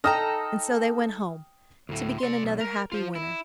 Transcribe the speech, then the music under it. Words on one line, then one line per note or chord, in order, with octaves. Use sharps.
And so they went home to begin another happy winter.
D#4 A4 G5 A#5 D#6 F6
D2 A2
D5 C6
B1
A#4
F4 C5
E4